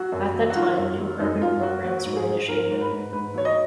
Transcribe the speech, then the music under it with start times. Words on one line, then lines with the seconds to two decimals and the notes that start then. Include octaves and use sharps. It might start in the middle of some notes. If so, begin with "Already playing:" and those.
At that time, new urban programs were initiated.
Already playing: F#3 F#4
0.12 F#2
0.34 F#3
0.50 F#4
0.56 D#3 F4
0.77 F#2
0.98 F#3
1.20 F#2 D#4
1.41 F#2 F4
1.63 F#2 F#4
1.84 F#3 F#4
2.05 G#2
2.17 G#4
2.27 G#2
2.48 G#2 A#4
2.70 G#2
2.81 B4
2.92 G#2
3.13 G#2 B4
3.34 F#3 C#5
3.45 D#5